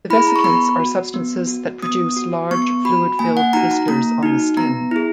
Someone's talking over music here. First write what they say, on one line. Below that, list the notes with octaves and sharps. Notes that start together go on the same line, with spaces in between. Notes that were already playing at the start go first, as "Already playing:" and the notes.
The vesicants are substances that produce large fluid-filled blisters on the skin.
E4 B5
G#4
A#5
C#6
B3 B5
F#4
B3
F#4
B3 D#6
F#4
B3 C#6
F#4 B5
A#3 G#5
F#5
D#4 F#4 A#5
A#5
A#3 A#5
D#4 F#4
B3 A#5
E4 G#4